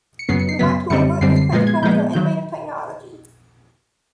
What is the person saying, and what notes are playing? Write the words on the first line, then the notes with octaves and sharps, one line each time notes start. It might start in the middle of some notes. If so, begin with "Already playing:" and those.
We want to invert this principle with our innovative technology.
C#7
F#2 C#3 F#3 B3 C7
C#7
C7
F#2 C#3 F#3 B3 B6
F#2 D3 G3 C4 C#7
F#2 D3 G3 C4 C7
C7
A#2 F3 G#3 B3 C7
G#6
A#2 F3 G#3 B3 G6
D#3 F#3 G6